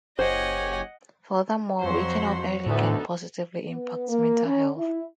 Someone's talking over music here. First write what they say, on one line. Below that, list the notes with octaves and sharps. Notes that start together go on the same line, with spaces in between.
Furthermore, waking up early can positively impact mental health.
F#1 G4 C5 C#5 D#5 F#5 G#5
F2 F#3 F#4 C5 C6
D2 A2 B3 D#4 A4
B3
A#3
C#4
E4